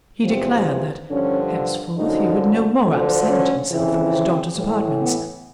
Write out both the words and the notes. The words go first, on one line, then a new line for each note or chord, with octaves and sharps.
He declared that, henceforth, he would no more absent himself from his daughter's apartments.
E2 C3 F3 C4
G2 D3 F3 C#4
F#2 D3 F3 D#4
D2 D3 F3
C#4
F2 C#3 E3
C4
A2 E3
B3